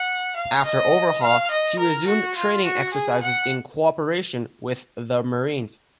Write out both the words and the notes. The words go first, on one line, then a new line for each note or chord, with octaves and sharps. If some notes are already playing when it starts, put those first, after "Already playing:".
After overhaul, she resumed training exercises in cooperation with the Marines.
Already playing: F#5
F5
D#5
F5
D#5
A#4
F#4
F4
F#4
G#4
F#5